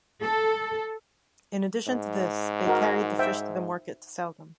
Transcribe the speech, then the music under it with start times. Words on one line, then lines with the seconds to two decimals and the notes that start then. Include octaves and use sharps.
In addition to this, they carried the fish to the market to sell them.
0.22 A4
1.87 G#2
2.66 D#4 F#4 A#4
3.19 C5 E5 G5